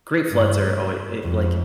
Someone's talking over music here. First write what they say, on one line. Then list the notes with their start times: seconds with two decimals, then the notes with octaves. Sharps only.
Great floods are always e like
0.31 G2
1.24 F2